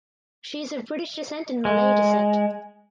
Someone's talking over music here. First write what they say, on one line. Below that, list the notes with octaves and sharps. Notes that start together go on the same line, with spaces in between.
She is of British descent and Malay descent.
G#3